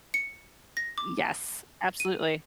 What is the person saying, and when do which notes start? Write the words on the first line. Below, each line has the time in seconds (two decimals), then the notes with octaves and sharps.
Yes, absolutely.
0.14 C#7
0.77 A#6
0.98 D6
2.00 D#7